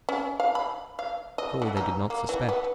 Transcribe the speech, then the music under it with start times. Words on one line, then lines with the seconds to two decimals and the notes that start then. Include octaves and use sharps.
Surely they did not suspect!
0.09 C#4
0.40 F5
0.55 B5
0.99 F5
1.38 D#5
1.62 D3
1.77 D#4
2.10 A#3
2.29 E3
2.49 B3